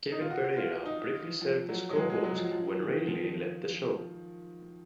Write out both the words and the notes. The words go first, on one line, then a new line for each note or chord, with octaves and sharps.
Kevin Pereira briefly served as co-host when Reilly left the show.
D#4
F4
F#4
F4
D#4
F3
F#3
F#3
G#3
G#3
F#3
F3
F3
D#3
F3